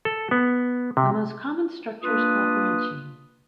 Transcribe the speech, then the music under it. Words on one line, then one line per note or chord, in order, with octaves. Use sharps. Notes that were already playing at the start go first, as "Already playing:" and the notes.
The most common structure is called branching.
A4
B3
C3
A#3 D4 F4 B4 D#6